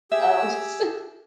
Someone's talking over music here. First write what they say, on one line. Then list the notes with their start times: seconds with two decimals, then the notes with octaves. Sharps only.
um, so
0.12 G4 G#4 E5 E6